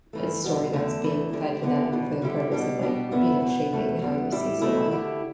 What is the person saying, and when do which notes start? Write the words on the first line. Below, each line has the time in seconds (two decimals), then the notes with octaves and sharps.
a story that's being fed to them for the purpose of, like, you know, shaping how you see someone.
0.13 G2 E3 A3
0.43 E2 B2 G3
0.73 E2 D3 A3
1.03 E2 E3 A3
1.33 D2 D3 A3 D4 G4
1.63 D3 B3 E4 G4
1.92 E2 B2 G3
2.22 D3 G3 E4 G4
2.52 B2 G3 D4
2.82 B2 G3 D4 G4
3.11 G2 D3 B3 E4
3.41 E2 B2 B3
3.72 E2 B2 A3
4.02 E2 D3 G3 B3
4.31 A2 G3 E4 G4
4.61 B2 A3 E4
4.91 D3 A3 E4 G4